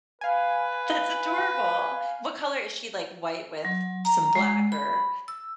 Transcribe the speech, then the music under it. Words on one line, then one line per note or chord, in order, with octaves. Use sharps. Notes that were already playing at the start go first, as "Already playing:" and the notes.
that's adorable. What color is she, like, white with some black, or
B4 F5 G#5
F#3
A#5
G#3
B5
E6